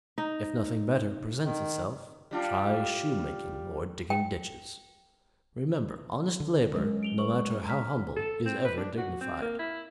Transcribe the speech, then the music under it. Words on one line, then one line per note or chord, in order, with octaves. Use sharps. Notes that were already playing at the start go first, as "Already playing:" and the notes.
If nothing better presents itself, try shoemaking or digging ditches. Remember honest labor, no matter how humble, is ever dignified.
D#4
D#3
G3 D4 F4
G5
D3
F#3 G#3 C#4 A#4
D7 F7 G7
B4 C#6 F#7
A#5 F6 B6
A4
C4
B4
D4
F#4
C4
A#3
E4